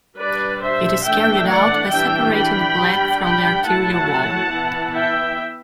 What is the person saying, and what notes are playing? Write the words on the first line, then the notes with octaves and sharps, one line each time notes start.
It is carried out by separating the plaque from the arterial wall.
G3 D4 B4 D5
C5 E5
E3 A3 D4 E5 G5
D5 F#5
E3 G3 D4 E5 G5
G5 B5
G3 D4
G5 B5
F#3 A3 E4 F#5 A5
E3 B3 E4
E5 G5